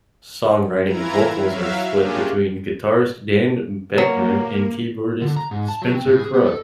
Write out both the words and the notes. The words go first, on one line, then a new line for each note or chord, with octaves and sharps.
Songwriting and vocals are split between guitarist Dan Boeckner and keyboardist Spencer Krug.
E3 E4 F4 A#5 G#6
F#3 E5 F5
A#3 C#4 D4 F4 G4 G#4
F#3 A#3
D3
A#5
G#2
A5
F#3
C4
A2
G#4
B3
A4